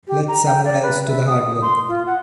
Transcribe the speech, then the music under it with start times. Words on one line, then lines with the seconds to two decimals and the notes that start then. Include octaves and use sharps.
Let someone else to the hard work.
0.08 G4
0.28 A#5
0.46 G5
0.64 D5
0.83 B4
1.07 E5
1.27 D#6
1.62 C6
1.89 F4
2.07 F#5